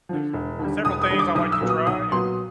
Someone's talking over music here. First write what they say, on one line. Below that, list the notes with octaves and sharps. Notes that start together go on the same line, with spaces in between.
there's several things I like to try, and,
D3 F3
E1
D#2 D3 G3
E1 D#6
D#6
D#2 D3 G3
D6
B1 D#6
E6
A#2 F#3 B3
D#6
B1 D#6
A#2 F#3 B3 C6